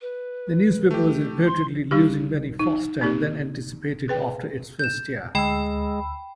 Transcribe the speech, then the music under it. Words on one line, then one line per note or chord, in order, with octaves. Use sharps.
The newspaper was reportedly losing money faster than anticipated after its first year.
B4
A3 G4
C6
G3 D4 D#4 G4
D#4
A#3 C4 D#4 G4
G#4 B4 G5
G6 E7
D2 G#3 G5 B5 E6